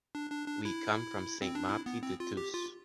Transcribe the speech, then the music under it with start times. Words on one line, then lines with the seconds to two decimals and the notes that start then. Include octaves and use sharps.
We come from Sant Martí de Tous.
0.15 D4
0.32 D4
0.48 D4
0.65 E4
1.42 C4
1.55 D4
1.69 E4
1.86 B3
2.03 C4
2.20 F4
2.37 G4
2.54 F4